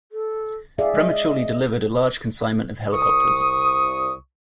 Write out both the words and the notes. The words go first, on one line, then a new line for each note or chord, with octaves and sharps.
Prematurely delivered a large consignment of helicopters.
A4
G#4 D5 E5 F5
G#3 D#5
C2 C#6 D#6